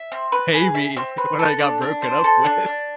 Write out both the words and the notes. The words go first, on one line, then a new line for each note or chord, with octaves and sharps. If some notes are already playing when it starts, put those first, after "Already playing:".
pay me when I got broken up with.
Already playing: E5
C4
B4
G#4
E5
C4
B4
A4
D4
D4
C5
A4
D4
D4